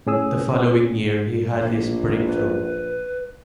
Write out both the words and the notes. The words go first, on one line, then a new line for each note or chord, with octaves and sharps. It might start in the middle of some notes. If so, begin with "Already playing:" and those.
The following year he had his breakthrough.
A2 C#4 G#4 D#6 E6
A#1 A#3
B4